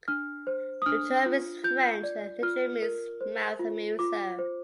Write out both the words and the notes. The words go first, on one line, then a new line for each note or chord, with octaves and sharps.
The term is French and literally means "mouth amuser".
D4 F6
C5
D#6
D4 F6
F4
F4 G6
D5
F4 F6
A#4
C5
F4
F4 D6
C5